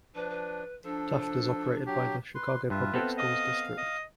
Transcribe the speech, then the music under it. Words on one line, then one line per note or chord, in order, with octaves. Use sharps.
Taft is operated by the Chicago Public Schools district.
F3 D4 B4
B4
F3 D4 A4
F#3 G4
B4 C6
G2 F4 B4 E5
B3 C4 A4
D#5 F5
D#5